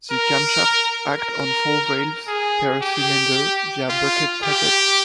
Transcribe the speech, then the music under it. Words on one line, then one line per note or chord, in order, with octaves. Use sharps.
The camshafts act on four valves per cylinder via bucket tappets.
A#4
A#4
G#4
G4
F4
G4